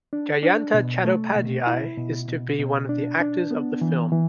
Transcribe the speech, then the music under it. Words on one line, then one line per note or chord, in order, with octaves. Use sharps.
Jayanta Chattopadhyay is to be one of the actors of the film.
D4
D4
B2
A3
B2
E4
B2
B2
B2
D4
D4
B3
E3
E3